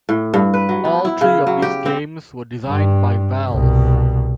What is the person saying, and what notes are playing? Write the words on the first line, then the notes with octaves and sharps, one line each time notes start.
All three of these games were designed by Valve.
A2
G2
B4
F#3
B3
E4
C#3
F#3
G4
C4
G2
C2 B2